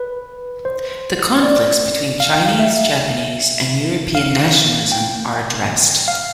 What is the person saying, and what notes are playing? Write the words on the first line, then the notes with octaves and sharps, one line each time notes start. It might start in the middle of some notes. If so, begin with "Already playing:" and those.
The conflicts between Chinese, Japanese, and European nationalism are addressed.
Already playing: B4
C5
D5
F5
G5
F5
E5
F5
G5
F5